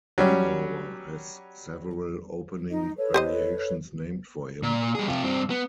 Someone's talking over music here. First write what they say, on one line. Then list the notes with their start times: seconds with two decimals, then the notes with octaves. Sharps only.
Winawer has several opening variations named for him.
0.18 F#3 G3 C#4
2.70 D#4 D#5
2.97 A4 B4 C#5
3.14 G4 C5 D#5
4.63 A#2
4.95 G3 G#4
5.08 C3 F4
5.24 G2 C4
5.50 B3